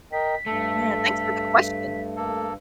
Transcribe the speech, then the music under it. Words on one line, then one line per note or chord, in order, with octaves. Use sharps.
Yeah. Thanks for the question.
A#4 D#5 G5 B6
G2 A3 A4
A#3 A4